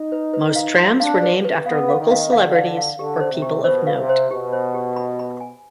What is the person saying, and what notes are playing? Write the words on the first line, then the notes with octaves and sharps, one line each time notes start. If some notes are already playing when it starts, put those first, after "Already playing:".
Most trams were named after local celebrities or people of note.
Already playing: D#4
B4
B4
F5
C6
D4 F5
B4
B4
B3 F5
F5
D#3
F5
D3 F5
F5
F5
D3 G4
C5
C3
G4
B2 C5
F5
C3
C5
B2 G4
C5
G4
B5
B5
G#5